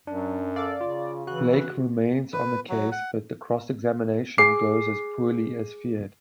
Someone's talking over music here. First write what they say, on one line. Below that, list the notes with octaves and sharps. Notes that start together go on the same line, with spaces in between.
Blake remains on the case, but the cross-examination goes as poorly as feared.
F#2 F#3 D4
A4 D5 F5
C#3 F4
E3 F#4 F#6
B4
F#3
F#5
G#4 D6 C7